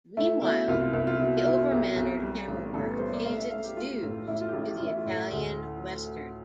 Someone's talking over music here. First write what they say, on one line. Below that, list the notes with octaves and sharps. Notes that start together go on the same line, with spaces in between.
Meanwhile, the over-mannered camerawork pays its dues to the Italian Western.
A3 E4
B2 E4
C2 F4
F4
C2 E4
F4
B2 E4
F4
B2 E4
F4
B1 G4
B1
G3
A1
A1 A4
B4
G3 C5
D5
A3 F5
E5
A3 F5
G4
A3 F4
A2
A1 E4
F4
G4
A1 F4
G4
A1 F4
E4
F4
A2
D2